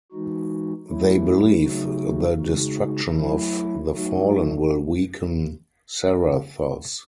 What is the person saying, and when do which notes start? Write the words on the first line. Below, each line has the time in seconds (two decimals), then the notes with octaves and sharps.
They believe the destruction of The Fallen will weaken Zarathos.
0.12 E3 G#3 D#4 F#4
0.88 F#3 A3 E4
1.64 C#3 F#3 A3 D#4 F#4
2.39 C#3 G#3 D#4 F#4
3.16 F#3 A3 E4
3.92 F#3 A3 D#4 F#4